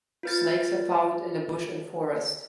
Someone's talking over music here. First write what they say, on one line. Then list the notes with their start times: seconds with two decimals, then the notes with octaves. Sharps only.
Snakes are found in the bush and forest.
0.23 F4 B4 A6